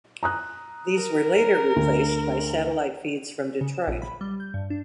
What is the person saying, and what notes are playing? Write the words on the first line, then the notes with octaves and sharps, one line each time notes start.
These were later replaced by satellite feeds from Detroit.
A#5 D#6 F#6
A#4
D2
C#3
E7
A#1
B5
G3
G6
G2
D4